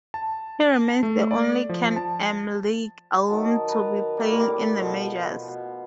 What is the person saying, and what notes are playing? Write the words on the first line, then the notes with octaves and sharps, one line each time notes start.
He remains the only Can-Am league alum to be playing in the Majors.
A5
A3
D5
F3
A5
D#3 F#3 A5
B4 A5 A#5
G3 A#3
A2 G3 C6 D6
B2 F3
B2